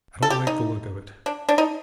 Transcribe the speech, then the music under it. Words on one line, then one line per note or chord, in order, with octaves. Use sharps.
I don't like the look of it.
A4
G4
D#4
D4
D4
D#4